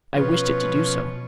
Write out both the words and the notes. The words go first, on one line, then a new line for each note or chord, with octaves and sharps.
"I wished it to do so."
B2 F3 C#4 B4